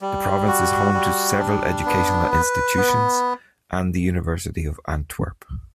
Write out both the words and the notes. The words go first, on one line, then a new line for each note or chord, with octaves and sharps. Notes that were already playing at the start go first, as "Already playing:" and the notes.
The province is home to several educational institutions and the University of Antwerp.
G3
F#4
G3
D4
B3
B4
B3